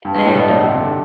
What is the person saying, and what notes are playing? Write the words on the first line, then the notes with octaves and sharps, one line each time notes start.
and, um,
G2 B4 F5 A5
G2
A2
B2
A2
C3 G4 D5 A5
D3